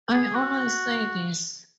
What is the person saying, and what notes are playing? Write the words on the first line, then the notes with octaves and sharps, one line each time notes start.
I always say this.
G#4
F#4